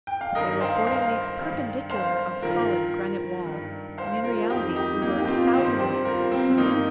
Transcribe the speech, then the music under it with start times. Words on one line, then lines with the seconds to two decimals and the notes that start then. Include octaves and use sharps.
But they were forty leagues perpendicular of solid granite wall, and in reality we were a thousand leagues asunder!
0.07 G5
0.21 F5
0.35 G2 D#3 A#4 D#5
0.60 C5 F5
0.87 C5 F5
1.39 G2 D#3
1.90 C5 F5
2.42 G2 D#3 F4 A#4
3.46 G2 D#3
3.98 C5 F5
4.24 F4 A#4
4.50 F2 D#3 D#4 G4
4.76 D#4 G4
5.02 A#3 D#4
5.18 G4
5.27 C4 F4
5.53 G2 D#3 G4 C5
5.79 G4 C5
6.05 F4 A#4
6.32 C4
6.57 G2 D#3 A#3 D#4